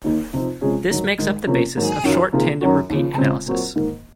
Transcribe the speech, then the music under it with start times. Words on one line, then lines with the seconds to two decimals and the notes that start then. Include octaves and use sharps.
This makes up the basis of short tandem repeat analysis.
0.04 D#2 D#3 A#3 D#4
0.33 F2 C3 F3 C4 D#4
0.61 C3 F3 G#3 C#4 G#4
0.90 G#2 D#3 F#3
1.18 G#2 D#3 G#3 D#4 G#4
1.47 C3 F3 A#3 C#4
1.76 G#2 D#3 F#3 A#3
2.04 F#2 D#3 F#3
2.33 C3 D#3 A#3 F4 G#4
2.61 F#2 D#3 F#3 C#4 F#4
2.90 D#2 C#3 F3
3.18 C#2 C#3 G#3 C4
3.46 A#2 F#3 C4 F#4 A#4
3.76 G#2 D#3 A#3